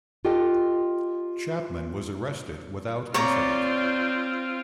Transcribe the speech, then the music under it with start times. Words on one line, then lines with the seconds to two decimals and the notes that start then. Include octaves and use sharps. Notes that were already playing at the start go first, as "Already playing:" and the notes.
Chapman was arrested without incident.
0.25 F4 G4 A4 D#5 G5
3.14 C4 F4 C#5 D5 A#5